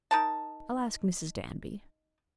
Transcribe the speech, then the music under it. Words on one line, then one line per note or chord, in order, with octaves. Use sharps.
I'll ask Mrs. Danby.
D#4 A#4 A5